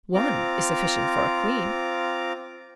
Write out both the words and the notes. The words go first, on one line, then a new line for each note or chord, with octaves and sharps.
One is sufficient for a queen.
C4 F4 A#5 D6